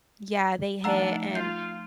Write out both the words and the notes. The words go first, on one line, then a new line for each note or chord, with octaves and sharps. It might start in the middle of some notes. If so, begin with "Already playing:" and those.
Yeah, they hit and, uh,
F3 A3 D4 D#4 F#5 A#5 E6
F4 G6 C7